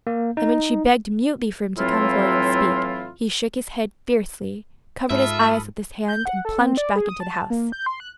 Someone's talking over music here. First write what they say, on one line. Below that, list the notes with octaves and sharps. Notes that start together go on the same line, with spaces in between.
And when she begged mutely for him to come forward and speak, he shook his head fiercely, covered his eyes with his hand, and plunged back into the house.
A#3
D#4
A2 E3 F#3 C4 E4 F4
G#2 F4 A4 E5 B5 D#6
G6
F#5
A4
C4
D5
G#4
D#6
A5
A#3
G6
C6
F#6